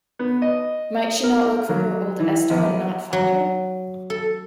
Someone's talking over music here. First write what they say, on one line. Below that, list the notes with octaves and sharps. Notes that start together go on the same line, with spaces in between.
Might she not look for her old Esther and not find her?
B3
D#5
A#4
F#3
E3
A#1
F#3
A4